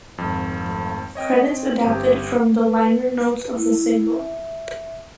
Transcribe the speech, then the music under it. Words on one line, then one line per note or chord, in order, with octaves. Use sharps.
Credits adapted from the liner notes of the single.
G#1 F2
F3 A3
C4 C#5 D#5 G5
G1 G4
B4
E4
E5